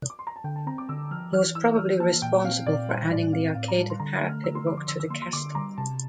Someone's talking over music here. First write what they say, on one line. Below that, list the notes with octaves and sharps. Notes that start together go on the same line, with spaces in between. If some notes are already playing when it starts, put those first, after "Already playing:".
He was probably responsible for adding the arcaded parapet walk to the castle.
D6
C6
A#5
A5
D3 G5
A5
C4 A#5
D6
D3 E6
F3 F6
E3 F6
E4 E6
E3 F6
A#3 A5
A#2 G5
C4 F5
A#2 D5
G3 C5
A2 D5
C4 F5
A2 F5
A#5
G3 A5
C6
D3 A#5
A3
F6
D3 E6
C6
F3 D6
D6
D3 E6
E6
A#3 C6
C6
D3 D6
G3 A#5
C3 A5